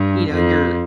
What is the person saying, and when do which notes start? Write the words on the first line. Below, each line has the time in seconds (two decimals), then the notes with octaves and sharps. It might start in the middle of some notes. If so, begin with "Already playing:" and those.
”you know, you're
Already playing: G2
0.31 F2